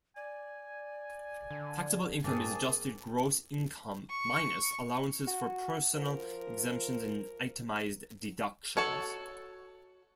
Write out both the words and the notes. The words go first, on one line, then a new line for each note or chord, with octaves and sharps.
Taxable income is adjusted gross income minus allowances for personal exemptions and itemized deductions.
D5 G#5
D3
G2 A#3 C4 G#4 G#5 A5
C#6
F#4
F3 A#4
F#4 A4 C#5